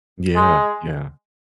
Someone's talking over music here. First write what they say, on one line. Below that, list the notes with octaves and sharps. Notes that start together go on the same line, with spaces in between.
Yeah. Yeah.
G#3